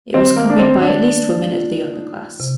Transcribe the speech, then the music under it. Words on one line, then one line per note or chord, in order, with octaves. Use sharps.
It was copied by at least women of the upper class.
D#3 C4
A#3
D4
D#3 C4
D4
A#3
F4
D#4
C3